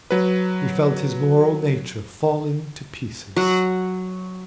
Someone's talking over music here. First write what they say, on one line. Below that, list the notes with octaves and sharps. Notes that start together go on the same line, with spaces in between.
He felt his moral nature falling to pieces.
F#3 B4
F#3 F#5